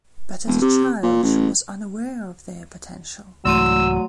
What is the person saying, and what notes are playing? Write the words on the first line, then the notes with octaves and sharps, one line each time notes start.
But as a child she was unaware of their potential.
E1
C3
A#2
A1
C2 G#2 E3 F#3 A3 C6 E6 D#7